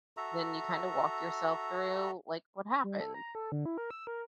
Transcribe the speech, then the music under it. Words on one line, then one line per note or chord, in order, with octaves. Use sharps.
then you kinda walk yourself through, like, "What happen?"
F#4 A4 E5 A#5
G3
A4
A#5
A4
D3
E4
A#4
E6
A#4